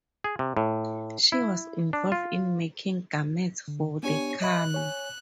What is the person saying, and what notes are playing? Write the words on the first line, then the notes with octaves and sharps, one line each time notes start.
She was involved in making garments for the kami.
G#4
C3
A2
E4
D4
F4
D3
B3 D4 G4 C#5 G#5
D#5 E5 B5 F#6
C#5 G#5